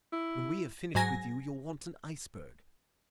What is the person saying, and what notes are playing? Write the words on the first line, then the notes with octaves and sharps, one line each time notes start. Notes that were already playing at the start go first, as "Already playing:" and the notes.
When we have finished with you, you'll want an iceberg.
E4
G#2 F#3 G#5 A#6